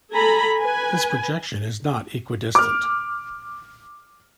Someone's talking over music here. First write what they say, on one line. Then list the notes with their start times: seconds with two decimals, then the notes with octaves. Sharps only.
This projection is not equidistant.
0.14 A4 G#5 A#5 B5
0.60 B4 G#5
2.55 D6 F6